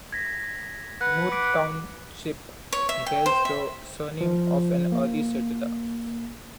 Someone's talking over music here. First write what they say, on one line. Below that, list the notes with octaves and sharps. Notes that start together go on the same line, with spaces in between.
Moore Township bears the surname of an early settler.
G#6 A#6 B6
B4 F#5 F#6
D6 B6 D7
C#5
E5
G5
C5
E5
F3
A#3